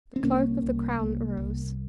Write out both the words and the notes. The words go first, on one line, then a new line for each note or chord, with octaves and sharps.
The Clerk of the Crown arose.
C4
C2 A#3 C#4
C2
C2
C2